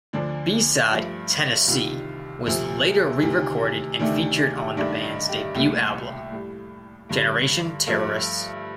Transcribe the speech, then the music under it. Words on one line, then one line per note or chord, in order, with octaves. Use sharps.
B-side "Tennessee" was later re-recorded and featured on the band's debut album "Generation Terrorists".
D2 D3 F3 D4
G2 F3 A3
C2 C3 D#3 F4
D2 C3 F3 A3
D2 C3 D#3
D2 C3 D#3 A3 D4
G2 D#3 A3 D4
D#4
G4
C2 A#2 A3 G4
A2 G3
G2 D3 G3
G2 F3 A3 A4